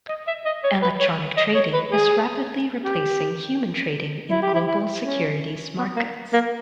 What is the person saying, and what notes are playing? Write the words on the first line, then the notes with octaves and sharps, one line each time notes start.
Electronic trading is rapidly replacing human trading in global securities markets.
D#5
E5
D#5
C#5
B4
C#5
D#5
C#5
B4
G#4
G4
E4
G4
E4
E4
C#4
B3
A#3
A#3